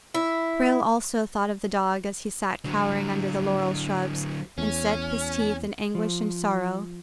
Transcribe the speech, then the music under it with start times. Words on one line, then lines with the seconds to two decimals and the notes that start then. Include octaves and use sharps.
Frale also thought of the dog as he sat cowering under the laurel shrubs, and set his teeth in anguish and sorrow.
0.14 E4
2.65 D3 F#3
4.58 E2 C#4
5.95 F3